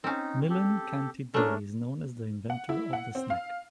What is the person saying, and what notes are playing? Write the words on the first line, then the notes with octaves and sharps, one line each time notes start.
Milon Kanti Dey is known as the inventor of the snack.
C4 C#4 D#4
G4 A4
A3 C#4 D4 A#4
F#5
E4
F#5
C4
F5